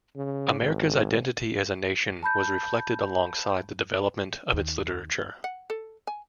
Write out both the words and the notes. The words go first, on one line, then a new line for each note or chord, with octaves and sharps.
America's identity as a nation was reflected alongside the development of its literature.
C#3
G#1
A5 B5 G6
D#2
F#5
A4
G#5